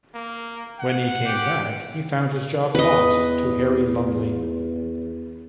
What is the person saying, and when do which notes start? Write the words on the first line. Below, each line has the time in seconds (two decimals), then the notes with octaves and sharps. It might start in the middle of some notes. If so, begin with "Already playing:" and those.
When he came back he found his job lost to Harry Lumley.
0.14 A#3
0.79 F#5
1.26 G4
2.75 E2 B4 D#5